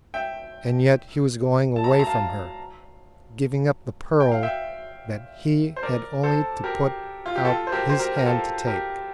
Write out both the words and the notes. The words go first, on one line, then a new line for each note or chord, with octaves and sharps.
And yet he was going away from her, giving up the pearl that he had only to put out his hand to take.
E5 G5
A5
A#5
A5
A#5
F5 A5
G5
F5
E5 G5
C5
A#4 D5
A4 C5
G4 A#4
F4
G4
F4 A4
C5
G4 A#4
C5
G4 A#4
A#4
F4 A4
G4 A#4